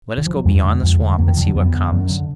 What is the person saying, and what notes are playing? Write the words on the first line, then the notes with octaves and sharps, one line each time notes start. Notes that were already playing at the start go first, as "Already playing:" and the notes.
Let us go beyond the swamp and see what comes.
D#3
F3
F#3
F2 G#3
D3
F2
D3
F2 A#3
D#3
D3 F3
F#3
F2 B3
D3
F#2
D3